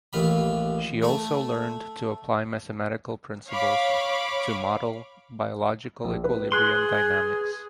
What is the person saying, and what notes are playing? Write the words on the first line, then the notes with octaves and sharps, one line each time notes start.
She also learned to apply mathematical principles to model biological equilibrium dynamics.
A1 D#2 F4 B5
A3 A4
C#5 F5 B5 C#6 D6
A#1
B4
G#4 C6 F#6